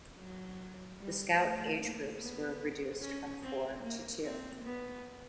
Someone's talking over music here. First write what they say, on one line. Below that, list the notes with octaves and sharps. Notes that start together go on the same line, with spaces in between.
The Scout age groups were reduced from four to two.
F#3
G3
A3
A#3
B3
C#4
C4
A#3
C4
B3